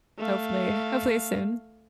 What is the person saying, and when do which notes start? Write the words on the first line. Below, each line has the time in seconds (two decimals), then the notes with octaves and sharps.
hopefully, hopefully soon.
0.18 A3 F5